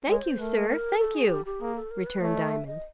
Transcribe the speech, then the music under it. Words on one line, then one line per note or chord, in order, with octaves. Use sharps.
"Thank you, sir, thank you," returned Diamond.
G#3 C#5
C5
A3 A#4 B4
A#4
A4
G#4
G4
G4
A#3 G#4
A4
A#4
B4
A3 C#5
D#5
E5
D#5